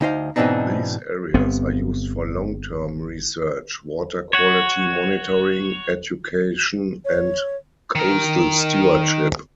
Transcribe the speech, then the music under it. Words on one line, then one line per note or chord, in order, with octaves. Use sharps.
These areas are used for long-term research, water-quality monitoring, education, and coastal stewardship.
D2 D#4 C5 F5
G#2 B2 E3 C4 D4 D#4
G1 G2 B3 C4
F#4 C#5
C#5
D#3 A#4